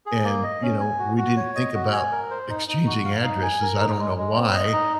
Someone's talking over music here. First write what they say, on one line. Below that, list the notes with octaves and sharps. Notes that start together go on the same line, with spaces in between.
and, you know, we didn't think about exchanging addresses, I don't know why,
G#4
A#3
D#5
C#4
G#5
F#4
F#4
C#5
D#5
F#4
G#5
A#4
C5
D#4
D#4
F#4
F5
D#4
G#5
A#4
D#4
G#3
G#3
C4
D#5
D#4